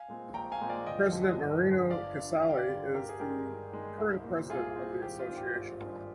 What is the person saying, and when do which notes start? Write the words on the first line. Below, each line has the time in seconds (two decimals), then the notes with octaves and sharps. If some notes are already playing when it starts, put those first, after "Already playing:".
President Marino Casali is the current president of the association.
Already playing: F5 G#5
0.08 A#2 G#3 C4
0.34 A#1 G5 A#5
0.52 F5 G#5
0.61 A#2 G#3 C4
0.69 D5 F5
0.86 G1 D#5 G5
1.12 F2 D3 G#3
1.39 G1
1.64 F2 D3 G#3
1.90 G1 D5 F5
2.16 G2 D3
2.42 G1 F5
2.50 G5
2.57 D5 F5
2.68 G2 D3
2.94 G2 G4 A#4
3.09 G#4
3.20 D#3 G#3 G4 A#4
3.46 G2
3.72 D#3 G#3
3.98 C2
4.24 A#2 G3 C4
4.50 C2 F4 G#4
4.76 A#2 G3 C4
5.02 G#1 G4
5.19 F4
5.28 G2 D#3 G#3 C4
5.37 G4
5.55 G#1
5.80 G2 D#3 G#3 C4